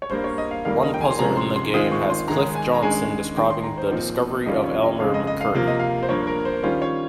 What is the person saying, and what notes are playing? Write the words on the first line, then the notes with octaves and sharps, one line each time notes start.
One puzzle in the game has Cliff Johnson describing the discovery of Elmer McCurdy.
C#5
G2 G3 A#3 C5
C#5
D#5
F5
F2 D#3 G3 A#3 F5
D#5
G5
G#5
C6
C3 F3 G#3 C#4 A#5
C6
C6
D#3 G#3 C4 F4 D#6
C#6
C6
G#2 D#3 G#3 A#5
G#5
A#5
G2 D#3 G#3 C#4 G#5
D#3 G#3 D#4 G5
C6
A#5
C5
A#2 F3 C4 D#4
F2 D#3 G3 C#4 F4 D#5
C#5
D#5
F2 C#3 G#3 F5
D#5
D#5
F5
C3 F3 A#3 F4 F5
D#5
F5
C5
G2 F3 A#3 C#5
A#4
C5
D#3 G3 C#4 F4 C5
C#5